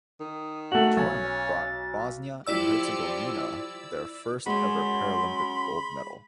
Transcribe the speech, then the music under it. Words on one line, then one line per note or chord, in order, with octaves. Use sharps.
The tournament brought Bosnia and Herzegovina their first ever Paralympic gold medal.
D#3 D#6
A3 F#4 F#7
B1 C#4 A6
F3 E4 G4 D5 E6
G#3 C#4 F#4 B5 C6